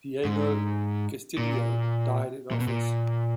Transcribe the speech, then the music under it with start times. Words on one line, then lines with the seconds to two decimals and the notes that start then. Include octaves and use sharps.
Diego Gestido died in office.
0.25 G#2
1.38 A#2
2.51 A#2
2.60 B2
2.68 A#2